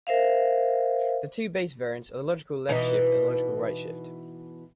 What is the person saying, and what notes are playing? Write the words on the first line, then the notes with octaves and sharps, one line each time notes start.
The two base variants are the logical left shift and the logical right shift.
A#4 C5 E5 F5
B2 E3 D#4